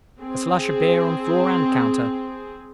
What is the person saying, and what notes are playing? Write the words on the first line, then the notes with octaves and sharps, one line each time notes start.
A slush of beer on floor and counter.
C4 G#4